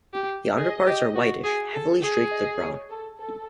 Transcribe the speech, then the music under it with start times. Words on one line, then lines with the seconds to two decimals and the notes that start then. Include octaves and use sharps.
The underparts are whitish, heavily streaked with brown.
0.14 G4
0.57 G#4 D#5
0.86 G4
1.15 F#4
1.44 G#4
1.74 A4
2.02 G#4
2.31 D#5
2.60 C#5
2.90 A4
3.19 A4